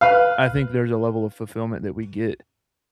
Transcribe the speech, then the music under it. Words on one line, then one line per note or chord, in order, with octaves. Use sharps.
I think there's a level of fulfillment that we get
B4 F5